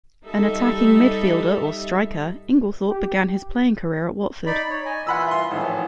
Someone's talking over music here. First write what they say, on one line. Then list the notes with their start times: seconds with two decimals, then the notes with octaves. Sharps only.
An attacking midfielder or striker, Inglethorpe began his playing career at Watford.
0.25 G3 D#4 A4 E5
2.90 G4
4.46 D#4 D5 B5
4.70 C#5
4.86 D#5 G#5
5.07 E3 F4 F#5 B5 E6
5.28 E5 C6
5.51 G#1 A2 E3 F3